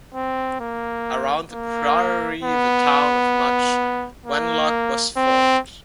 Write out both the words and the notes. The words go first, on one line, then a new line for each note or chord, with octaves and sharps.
Around the Priory, the town of Much Wenlock was formed.
C4
A#3
A#3
B3
A#3
C4